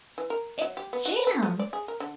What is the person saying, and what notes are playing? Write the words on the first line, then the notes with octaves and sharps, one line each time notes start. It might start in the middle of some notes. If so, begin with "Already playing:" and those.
It's JAM!
E3
A#4
F#3
G4
B3
F#4
A4
A3
D5
G#4
A#4
D3